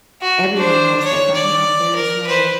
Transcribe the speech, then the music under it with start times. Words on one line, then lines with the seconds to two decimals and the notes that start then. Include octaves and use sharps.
everyone knows that by now, there is no
0.22 F#4
0.56 D4 C5
1.04 C#5
1.35 D5
1.95 A#4
2.27 B4 C5